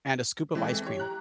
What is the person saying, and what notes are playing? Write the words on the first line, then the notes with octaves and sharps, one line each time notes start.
and a scoop of ice cream.
E3 G#3 C4 A4
G4 C#5
A#5 F#6